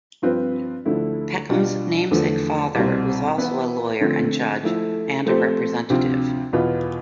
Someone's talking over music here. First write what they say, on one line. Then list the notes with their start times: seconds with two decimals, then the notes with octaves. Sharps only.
Peckham's namesake father was also a lawyer and judge, and a representative.
0.22 G2 F3 C4 F4 B4
0.85 D2 D3 F3 A3 E4
1.49 B2 G3 D4 F4
2.11 E2 D3 F3 A3
2.75 C2 B2 G3 C4
3.38 E3 B3 E4 B4
4.01 D3 F3 A3 C4
4.63 F3 A3 E4 A4
5.26 F3 A3 C4 G4 C5
5.90 D2 C3 F3 C4 F4
6.53 E2 B2 B3 F4